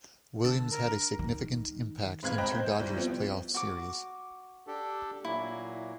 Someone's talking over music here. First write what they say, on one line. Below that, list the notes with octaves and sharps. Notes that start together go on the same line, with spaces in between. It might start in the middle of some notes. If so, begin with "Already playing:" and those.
Williams had a significant impact in two Dodgers playoff series.
D3 A5 E6
A#4
D#3
G#2 C4 B4 F5 F#6 G#6
C5 D#5 G5 A#5 B5
C5 G6
C2
F3 B3 C4
F#4 D6
D4 G4 A4
A#2 F#3 A#3 E4